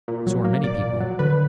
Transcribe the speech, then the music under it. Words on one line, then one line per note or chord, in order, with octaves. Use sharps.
So are many people.
A#2
F#3
A#3
A#2 D5
A#2
F#3
D3 B4